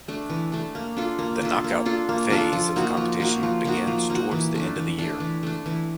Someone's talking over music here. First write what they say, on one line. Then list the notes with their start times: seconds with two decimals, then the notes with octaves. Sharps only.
The knockout phase of the competition begins towards the end of the year.
0.08 A3 D4
0.30 E3
0.52 A3 D4
0.75 A#3
0.97 D4 F4 A4
1.19 A#3
1.42 D4 F4 A4
1.64 A#3
1.86 D4 F4 A4
2.09 A#3
2.30 D4 F4 A4
2.53 F3
2.76 A#3 D#4 F#4
2.97 F3
3.20 A#3 D#4 F#4
3.43 F3
3.65 A#3 D#4 F#4
3.87 F3
4.10 A#3 D#4 F#4
4.31 E3
4.54 A3 D4
4.76 E3
4.99 A3 D4
5.20 E3
5.43 A3 D4
5.66 E3